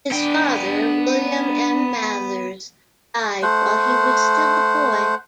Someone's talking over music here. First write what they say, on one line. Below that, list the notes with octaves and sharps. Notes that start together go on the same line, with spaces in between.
His father, William M. Mathers, died while he was still a boy.
B3 D4 G5
A3 C5 F#5